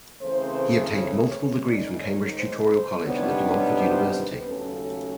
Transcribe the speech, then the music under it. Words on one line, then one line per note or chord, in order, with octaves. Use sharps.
He obtained multiple degrees from Cambridge Tutorial College and the De Montfort University.
C#3 E3 A3 C4 C5
C#5
G#2 D#3 G#3 D5
C#5
C5
C5
C3 D#3 G3 B3 D4 C#5
C5
B4
D#2 C#3 F#3 A3 C#4 A4